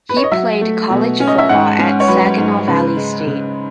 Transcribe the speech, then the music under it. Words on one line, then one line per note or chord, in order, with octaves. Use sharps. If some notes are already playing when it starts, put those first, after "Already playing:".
He played college football at Saginaw Valley State.
B4
C#5
D#5
F#3 E5
A3
B2
C#4
D#5
E5
G#2 F#5
C#4
C#5
F#3 B4
G#2
C#3 B4
G#3
C#3